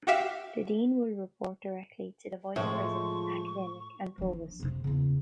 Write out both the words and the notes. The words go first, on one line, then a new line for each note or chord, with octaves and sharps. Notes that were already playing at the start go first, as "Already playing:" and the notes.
The dean will report directly to the vice president, academic and provost.
F#4 G4 E5 F5
A2 F3 G#3 C#6
F3 D4
F2 C3
E2 C#3